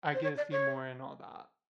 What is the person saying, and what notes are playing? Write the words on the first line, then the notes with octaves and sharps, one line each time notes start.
I get see more and all that."
C5
C#5
D5
C#5